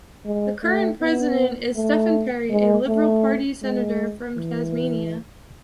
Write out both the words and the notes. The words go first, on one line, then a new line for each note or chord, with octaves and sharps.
The current president is Stephen Parry, a Liberal Party senator from Tasmania.
G#3
A3
B3
A3
G#3
A3
G#3
E3